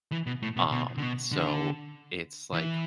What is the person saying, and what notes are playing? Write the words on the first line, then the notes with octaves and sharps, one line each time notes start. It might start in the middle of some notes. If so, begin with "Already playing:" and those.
Um, so it's like
E3
B2
A2
B2
B2
D3
B2
D3
E3